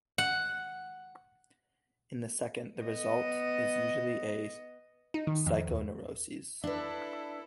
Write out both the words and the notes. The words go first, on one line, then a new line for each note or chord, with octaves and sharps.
In the second the result is usually a psychoneurosis.
F#5
B3 D#5
D#4
D#3
F2
D#2
D4 E4 A4 B4